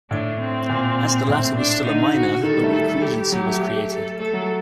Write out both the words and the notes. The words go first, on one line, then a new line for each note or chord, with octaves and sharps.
As the latter was still a minor, a weak regency was created.
A2 D4
C4
A#2
A2 C4
D4
D3 D#4
F#4
D#3 A4
G3
A3
G3 A4
G4
F#3
A3
A3
A4
A3 A4
F#3